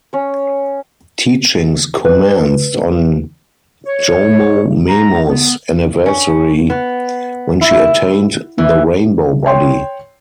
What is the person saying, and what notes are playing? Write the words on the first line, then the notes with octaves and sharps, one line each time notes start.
Teachings commenced on Jomo Memo's anniversary, when she attained the rainbow body.
C#4 C#5
B4
C#5
A#5
B3
C#4
B3
E4
E3
C#5 G5 C6